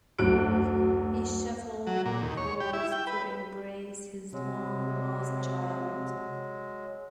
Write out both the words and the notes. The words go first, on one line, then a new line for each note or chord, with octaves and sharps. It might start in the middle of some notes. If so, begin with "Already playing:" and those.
He shuffled close to embrace his long lost child.
F#1 D2 F#3 F#6 D7
F#3
A#2
D#2
C#5
G4
E4
G5
B4
C3 F#3 G#3